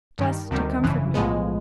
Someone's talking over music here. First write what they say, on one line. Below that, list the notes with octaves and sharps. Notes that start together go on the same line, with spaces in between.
Just to comfort me.
G2 D#3 G3
D2 C3 D#3 G3
G1 F2 C#3 E3
B1 A2 F3 G#3 B3